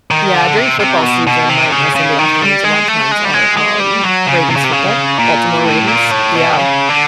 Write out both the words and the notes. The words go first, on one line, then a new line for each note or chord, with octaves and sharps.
Yeah, during football season, my my Sunday afternoons a lot of times are um, Ravens football, Baltimore Ravens, yeah,
D#3
D3
C3
C3
B2
B2
C3
C#3
C#3
D#3
G3
G#3
A3
G#3
G3
G#3
G#3
G3
F#3
C#3
C3
C#3
C3
C#3
A#2
A2
A#2
A2
B2
D3
C#3
D3